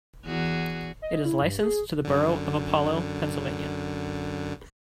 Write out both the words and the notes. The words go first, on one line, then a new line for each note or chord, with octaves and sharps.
It is licensed to the borough of Apollo, Pennsylvania.
E2 F#4 G#4
D#5
E4
G2
G#4
F#2 D3